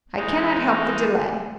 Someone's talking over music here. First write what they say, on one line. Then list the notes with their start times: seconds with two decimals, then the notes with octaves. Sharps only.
"I cannot help the delay."
0.17 E3 G#3 D#4